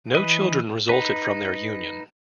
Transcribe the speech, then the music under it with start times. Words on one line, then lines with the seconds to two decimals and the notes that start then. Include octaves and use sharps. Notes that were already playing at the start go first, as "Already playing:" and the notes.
No children resulted from their union.
0.15 E3 B4 D#5
0.89 D#4 B4